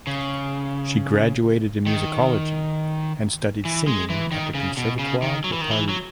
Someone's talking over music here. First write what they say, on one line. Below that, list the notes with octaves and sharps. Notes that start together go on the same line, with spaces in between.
She graduated in musicology and studied singing at the Conservatoire de Paris.
C#3
D#3
E3
G#3
E3
D#3
C#3
B2
C#3
D#3
F#3
E3
D#3
E3
F#3